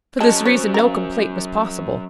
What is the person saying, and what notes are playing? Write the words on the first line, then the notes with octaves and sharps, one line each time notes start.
For this reason no complaint was possible.
F#3 G#3 C#4 A5
C5 C#5
A#4 F5